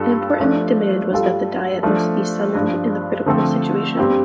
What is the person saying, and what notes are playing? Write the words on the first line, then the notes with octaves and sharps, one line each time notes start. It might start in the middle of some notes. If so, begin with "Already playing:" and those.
An important demand was that the diet must be summoned in the critical situation.
Already playing: G2 G3 F4 A4
F3 A3 D4
G2 G3 F4 A4
F3 A3 D4
G2 F3 D4
D3 F3 A3 C4 A4
G2 G3 C4 G4